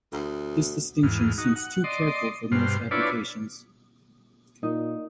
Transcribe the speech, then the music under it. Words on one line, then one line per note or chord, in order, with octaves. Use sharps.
This distinction seems too careful for most applications.
D2
E2 G#2 F6
D#4 F#4
F#5
D5 D#5 C6
G2 B2 C5 F6
D4 E4 F4 B4 C#5 D5
A#2 D#4